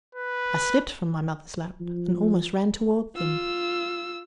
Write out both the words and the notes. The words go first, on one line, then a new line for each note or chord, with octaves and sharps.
I slipped from my mother's lap and almost ran toward them.
B4
F3
F4 E6